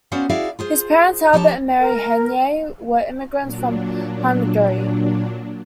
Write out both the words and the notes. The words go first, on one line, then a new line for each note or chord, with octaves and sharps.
His parents, Albert and Mary Henyey, were immigrants from Hungary.
B3 C#4 F#4 C5 D5 F5
E4 F#4 G#4 D5 E5 F5
F4 G#4 C5
F3 G4 C#5 G5 A5 A#5
A#4
A#2 F#3 D4